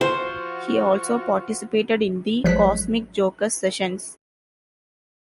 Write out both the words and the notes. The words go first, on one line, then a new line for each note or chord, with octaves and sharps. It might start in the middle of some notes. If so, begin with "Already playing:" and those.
He also participated in the Cosmic Jokers sessions.
F3 F4 F#4 C5
A1 F3 F#3 G#3 F#6 B6